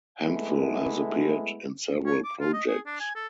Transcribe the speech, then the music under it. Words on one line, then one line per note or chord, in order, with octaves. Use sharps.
Hemphill has appeared in several projects.
G#3 A3 B3 E4
C#5
D6
F4
D#5
G#4
D4
G#5
A4